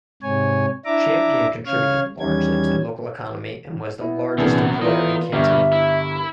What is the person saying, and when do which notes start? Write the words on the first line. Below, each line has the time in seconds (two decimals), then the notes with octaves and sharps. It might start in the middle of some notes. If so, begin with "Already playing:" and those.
Champion contributed largely to the local economy, and was the largest employer in Canton.
0.23 G#2 C3 C#5 G#5
0.85 D4 E4 E5 A#5 D6
1.66 C#3 C#5 F5 F6 G#6
2.19 E2 D#3 G3 C#4 G#6
4.01 B3 E4
4.38 D#1 F#2 C3 E3 D4 G#4
4.81 E3 A3 F4 A#4 B4 D5 D#5
5.33 G1 G2 G4 A#4 E5 C#6
5.72 E4